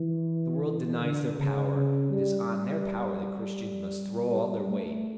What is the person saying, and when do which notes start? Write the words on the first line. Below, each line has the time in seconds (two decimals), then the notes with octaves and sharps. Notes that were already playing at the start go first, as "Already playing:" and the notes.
The world denies their power: it is on their power that Christians must throw all their weight.
Already playing: E3
0.63 E3
1.00 D3
1.36 C#3
1.73 C#3
2.11 G3
4.31 G3
4.69 A3